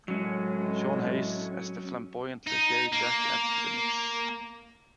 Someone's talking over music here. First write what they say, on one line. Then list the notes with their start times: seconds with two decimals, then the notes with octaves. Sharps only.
Sean Hayes, as the flamboyantly gay Jack, adds to the mix.
0.08 A2 F#3 G#3 C#4
2.47 D#4
2.92 A#3